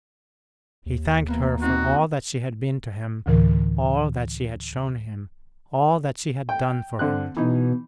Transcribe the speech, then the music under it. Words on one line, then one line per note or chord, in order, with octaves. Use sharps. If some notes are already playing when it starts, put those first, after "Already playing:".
He thanked her for all that she had been to him, all that she had shown him, all that she had done for him.
D#2
E3 A#3 B3
C4 D#4 F#4 C6
D2 A2 D3 E3 A#4
G5
D3 C4 F#6
B2 E3 D#4